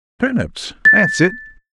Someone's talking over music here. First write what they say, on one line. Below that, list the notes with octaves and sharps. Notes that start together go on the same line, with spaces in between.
Turnips! that's it!
A6